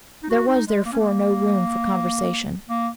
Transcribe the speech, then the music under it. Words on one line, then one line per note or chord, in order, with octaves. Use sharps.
There was therefore no room for conversation.
D#4
F#4
D#4
G#3
A#3
C#4
A#3
A#3